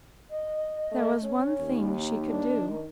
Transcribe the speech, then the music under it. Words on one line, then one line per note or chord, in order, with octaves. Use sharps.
There was one thing she could do.
D#5
A3
C#4 C#5
D#2
D#4
D#3 D4